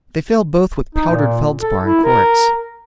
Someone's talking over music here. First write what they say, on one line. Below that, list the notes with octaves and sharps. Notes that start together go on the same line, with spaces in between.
They failed both with powdered felspar and quartz.
D#4
A#2
A4
E4
A#4